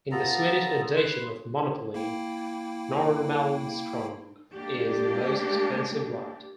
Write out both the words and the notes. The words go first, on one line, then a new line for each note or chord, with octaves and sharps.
In the Swedish edition of "Monopoly", Norrmalmstorg is the most expensive lot.
B3 F4 A4 A#5
B4 C6
A#3 E4 G5
G#3 A#3 D4 G4